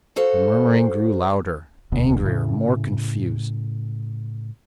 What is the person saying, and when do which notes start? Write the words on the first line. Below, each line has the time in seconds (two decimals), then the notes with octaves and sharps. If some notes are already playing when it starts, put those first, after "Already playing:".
The murmuring grew louder, angrier, more confused.
0.16 F#4 A4 C5 F5
1.92 E1 D2 B2
2.24 A2 C#3